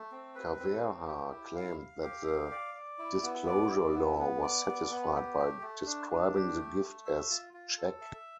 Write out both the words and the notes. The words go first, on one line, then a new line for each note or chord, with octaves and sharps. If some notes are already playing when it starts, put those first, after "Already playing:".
Ceverha claimed that the disclosure law was satisfied by describing the gift as 'check'.
Already playing: A3
C4
B4
C4
A3
G4
E4
F5
F5
G4
F5
D5
D5
E4
B3
D5
E4
B3
B3
D5
B3
B3
G4
A3
A3
D4
D4
G4
A3
A3
E5
F4
F4
A4
E5